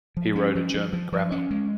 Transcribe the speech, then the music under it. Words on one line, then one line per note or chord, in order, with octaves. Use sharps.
He wrote a German grammar.
F3
C#4
F3
F3
F3
F3
C#4
G#3